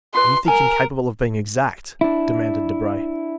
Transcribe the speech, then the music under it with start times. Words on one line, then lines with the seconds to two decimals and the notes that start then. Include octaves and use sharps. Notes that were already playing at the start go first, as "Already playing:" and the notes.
"And you think him capable of being exact?" demanded Debray.
0.15 F4 B4 C6
0.48 A#4 G#5
2.01 D4 E4